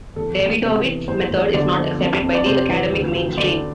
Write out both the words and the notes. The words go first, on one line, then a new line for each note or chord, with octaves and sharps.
Davidovits's method is not accepted by the academic mainstream.
E2 A4
E2
C3
E3
E2 C5
E2
D3 D5
F3
F2
F2
D5
C3 C5
E3
D2
D2
D3 D5